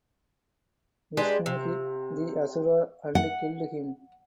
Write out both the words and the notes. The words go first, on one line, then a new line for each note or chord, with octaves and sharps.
Vishnu hit the asura and killed him.
G#3 D4 G4 B4
C3
F#5